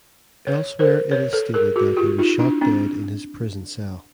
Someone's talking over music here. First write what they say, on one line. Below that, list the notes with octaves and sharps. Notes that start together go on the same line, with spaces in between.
Elsewhere it is stated that he was shot dead in his prison cell.
B4 C#5
A#4 C5
B4 C#5
A4 B4
G#4 A#4
F#4 G#4
F4 G4
D#4 F4
D4 E4
C4 D4